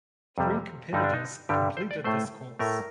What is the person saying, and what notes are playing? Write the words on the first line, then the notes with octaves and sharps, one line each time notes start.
Three competitors completed this course.
F2 C3 G3
G2 D3 G3 D#4
D4
D#4
G2 D3 G3 G4
C5
D5
A2 A3 C5
A2 A3 A#4